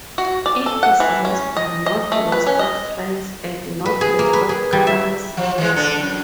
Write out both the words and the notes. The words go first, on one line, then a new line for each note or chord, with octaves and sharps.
It is less than northwest of Fries and northwest of Galax.
F#4
D5
A4
F#5
E3
C#4
D#5
D#5
A3
B4
C#4
D#5
B4
G#4
A#3
B4
G#4
G3
E5
F3
E3 G#3
D3 A4
F#2